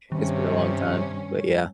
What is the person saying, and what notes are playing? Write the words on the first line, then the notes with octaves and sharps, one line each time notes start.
it's been a long time, but yeah.
G2 C3 D#3 C#4